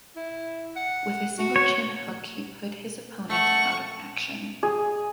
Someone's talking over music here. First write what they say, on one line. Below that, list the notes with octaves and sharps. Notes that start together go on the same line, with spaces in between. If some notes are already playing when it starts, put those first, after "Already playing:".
With a single chin hook he put his opponent out of action.
E4
F#5
F#4
C#5
A3 F#5 C#6
G#4